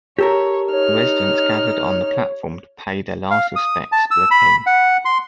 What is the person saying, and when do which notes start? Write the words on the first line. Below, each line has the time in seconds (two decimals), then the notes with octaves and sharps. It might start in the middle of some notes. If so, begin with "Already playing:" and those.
Residents gathered on the platform to pay their last respects to the King.
0.19 G4 A4 A#4 C#5
0.72 D#4 C#5 F6
3.31 F5
3.56 D#6
3.92 A5
4.11 E6
4.31 B5
4.66 F#5
5.05 C6